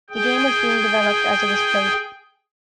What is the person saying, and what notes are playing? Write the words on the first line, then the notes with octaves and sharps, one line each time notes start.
The game was being developed as it was played.
G#4 G5